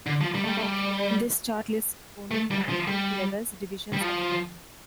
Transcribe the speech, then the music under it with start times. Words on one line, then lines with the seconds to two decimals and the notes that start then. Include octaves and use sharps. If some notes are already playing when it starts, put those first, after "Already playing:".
This chart lists only county-level divisions of Beijing.
0.07 D3
0.21 F3
0.35 G3
0.45 A3
0.48 G3
0.57 A3
0.62 G3
2.31 A3
2.51 G3
2.69 F3
2.88 G3
3.93 G3
4.01 F3